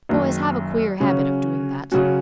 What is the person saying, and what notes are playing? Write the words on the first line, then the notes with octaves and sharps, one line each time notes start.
Boys have a queer habit of doing that.
F#1 F#2 D#3
C#3 F#3 C#4 F#4
C#3 F#3 C#4 F#4